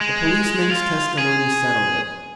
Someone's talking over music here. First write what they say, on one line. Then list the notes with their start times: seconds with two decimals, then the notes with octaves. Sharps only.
The policeman's testimony settled it.
0.01 G#3
0.71 F4
1.18 G#4